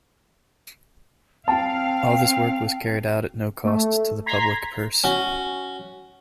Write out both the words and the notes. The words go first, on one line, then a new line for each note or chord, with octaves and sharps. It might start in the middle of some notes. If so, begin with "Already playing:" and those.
All this work was carried out at no cost to the public purse.
C4 F5 G5 A5
A3
A#5 C6 G#6 B6
C#4 F#4